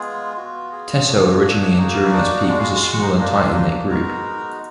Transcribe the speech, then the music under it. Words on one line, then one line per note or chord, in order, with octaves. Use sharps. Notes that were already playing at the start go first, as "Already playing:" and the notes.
Teso originally and during its peak was a small and tightly knit group.
Already playing: G#3 B3 F4 G#4
B3 F4 F#4
G#4
A#3 D4 F#4
G#4
A#3 D#4 F#4 G#4
A#4
B4
D4 D5
G#3 D4 F#4 D5
F4 F5
F4 F5
F#4 F#5
D#4 D#5
A#3 D4 D#4 F4 D#5
D#4 D#5
F4 F5
D#4 D#5
D4 D5
G#3 B3 D#4 F#4 A#4 A#5